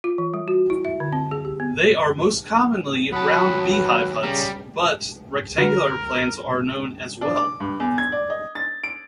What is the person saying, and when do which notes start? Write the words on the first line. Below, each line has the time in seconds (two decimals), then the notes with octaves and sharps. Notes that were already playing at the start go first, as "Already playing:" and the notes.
They are most commonly round beehive huts, but rectangular plans are known as well.
0.04 F4
0.18 E3
0.34 G3
0.48 F#4
0.70 E4
0.85 E5
1.00 D3
1.13 C4
1.31 G#4
1.45 G4
1.60 B3
3.13 D#2 F#3 F#5 A5 B5 D#6
3.71 B4
4.23 C#3 G3 A#5
5.58 D3 F#4 A#4 B4
7.21 D4
7.36 D6
7.60 G2
7.80 E2
7.98 G#6
8.12 D5
8.30 D#5
8.55 A6
8.84 D7